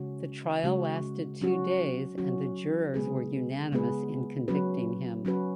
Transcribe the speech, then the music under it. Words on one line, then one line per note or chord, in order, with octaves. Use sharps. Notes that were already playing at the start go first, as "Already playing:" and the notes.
The trial lasted two days and the jurors were unanimous in convicting him.
Already playing: C#3 G#3 C#4 F#4
C#3 G#3 C#4 F#4
F#3 C#4 F#4
F#3 C#4 F#4
C#3 G#3 B3 G#4 B4
C#3 G#3 B3 G#4 B4
F#3 C#4 F#4 B4
F#3 C#4 F#4 B4